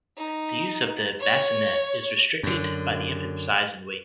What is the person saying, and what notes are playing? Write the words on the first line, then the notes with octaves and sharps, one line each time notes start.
The use of the bassinet is restricted by the infant's size and weight.
D#4
C#5
F#2 D3